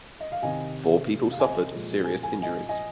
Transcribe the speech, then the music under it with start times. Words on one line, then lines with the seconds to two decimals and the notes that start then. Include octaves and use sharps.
Four people suffered serious injuries.
0.20 D#5
0.32 F5
0.42 C3 D#3 C4 D#5 G#5
1.31 F5
1.40 D#5 G#5
1.72 A#2 F3 G#3
2.04 G#5
2.23 G#5
2.42 D#5 G#5
2.69 D#5 G#5